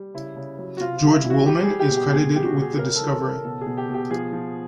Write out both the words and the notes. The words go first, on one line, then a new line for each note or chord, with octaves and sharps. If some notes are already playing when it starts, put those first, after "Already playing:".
George Willeman is credited with the discovery.
Already playing: G3
C#3 E4
C#3
F#3
F#4
C3 F4
F4
G3
E4
E3
F#4
G3 G4
G#4
G3
G4
B2
G4
A#2 G#4
G3 G4
F#4
G3
G#4
C#3 A#4
A4
E3
A4
C#3
A#4
B2 A4
G#4
B2
G4
B2
G4
F3 G#4
F3